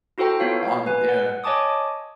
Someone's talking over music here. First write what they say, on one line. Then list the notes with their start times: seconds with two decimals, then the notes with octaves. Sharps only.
On it, yeah.
0.18 E4 F#4 A4 C5 G5 A#5
0.40 B3 F4 C#5 F5
0.86 B4 G#5
1.09 F#5
1.44 C#5 D#5 G#5 A5 D6 D#6